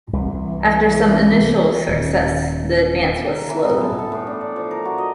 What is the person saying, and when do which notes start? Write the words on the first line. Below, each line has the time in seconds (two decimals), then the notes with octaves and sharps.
After some initial successes the advance was slowed.
0.13 C2 E3
1.89 D#1
3.36 A#4
3.49 E3
3.64 B3
3.80 A5
3.98 A4
4.12 A2
4.27 D4
4.41 D5
4.56 F3
4.71 A#4
4.85 F#4
4.98 D#5